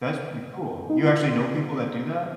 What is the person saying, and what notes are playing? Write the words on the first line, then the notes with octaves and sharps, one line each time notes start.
That's pretty cool. You actually know people that do that?
D#4
E4
F4